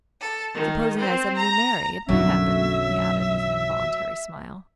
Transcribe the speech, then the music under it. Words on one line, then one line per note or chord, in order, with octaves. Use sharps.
"Supposing I suddenly marry... it might happen," he added with an involuntary smile.
A4
D#3
C4
A#5
B1 F#2 D3 F#3 A3 E5